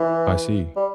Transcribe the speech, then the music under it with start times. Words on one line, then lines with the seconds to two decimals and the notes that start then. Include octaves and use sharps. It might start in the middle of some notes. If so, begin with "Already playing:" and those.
I see.
Already playing: E3
0.76 G3